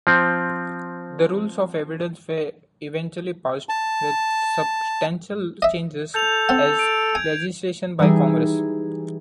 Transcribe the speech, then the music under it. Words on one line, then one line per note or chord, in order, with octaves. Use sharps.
The Rules of Evidence were eventually passed, with substantial changes, as legislation by Congress.
F3 C4
A5
D#5 E5
A4 G6 F7
C4 F#5
D7
G#5 G#6
E3 G3 D#4 G#4